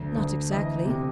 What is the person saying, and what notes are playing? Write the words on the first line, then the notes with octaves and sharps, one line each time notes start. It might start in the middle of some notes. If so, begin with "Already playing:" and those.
"Not exactly."
Already playing: D2
D2
E3 D#5
C3